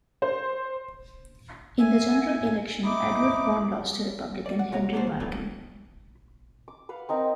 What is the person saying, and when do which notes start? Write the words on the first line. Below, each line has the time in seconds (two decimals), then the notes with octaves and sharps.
In the general election, Edward Pond lost to Republican, Henry Markham.
0.22 C5
1.79 E5 G#5
2.84 D#4 E4 D6
4.46 D5
4.59 F#5
4.72 C2 F#4 C#5 F#5 A#5
4.93 A#3 B3 D4 F#4 C5
5.07 D#3
5.20 E3 F#3 A3 B3 D4
6.68 D6
6.89 B4 F5 F#5
7.09 C4 D#4 A#4